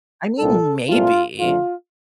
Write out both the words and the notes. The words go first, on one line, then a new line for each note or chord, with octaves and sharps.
I mean, maybe.
C2 A#2 G3 A4
C2 A#2 A3 C4 F4
F2 D3 F3 A3 F4